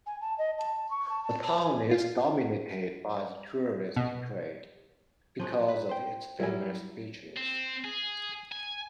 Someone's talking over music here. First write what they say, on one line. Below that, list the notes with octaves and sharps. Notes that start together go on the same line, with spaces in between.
The town is dominated by the tourist trade, because of its famous beaches.
G#5
A5
D#5
A5
C#6
A5
A5
A5
G#5
F4
B2
F3 F#3 G#3
B4
C5 G5
F#3 G3 E4 G#5
C4
G#4
G#5